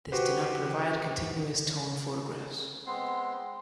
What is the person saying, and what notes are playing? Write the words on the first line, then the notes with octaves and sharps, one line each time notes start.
This did not provide continuous-tone photographs.
F#4 G4 B4 C5
G#3 B3 C4 C6